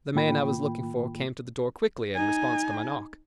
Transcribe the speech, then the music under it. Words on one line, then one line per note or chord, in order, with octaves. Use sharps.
The man I was looking for came to the door quickly in response to my knock.
A2 D#3 A#3 F4 G5 B5
D#4 G#5